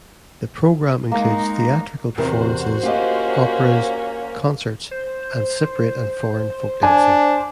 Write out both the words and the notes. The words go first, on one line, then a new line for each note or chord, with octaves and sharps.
The programme includes theatrical performances, operas, concerts and Cypriot and foreign folk dancing.
G#3 A#3 D#4 A#5
E2 C3 F#4 A#4 C5
A#3 C#4 F4 G4 D#5
C5
D4 G#5